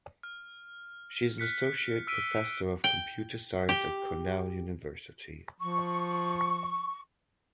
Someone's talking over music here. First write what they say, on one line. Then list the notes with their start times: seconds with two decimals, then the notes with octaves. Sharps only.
She is an associate professor of computer science at Cornell University.
0.23 F6
1.38 F6 F#6 B6 C#7
2.07 E6 F6 B6 D7 D#7
2.84 G5
3.69 G4
5.60 F3 C#6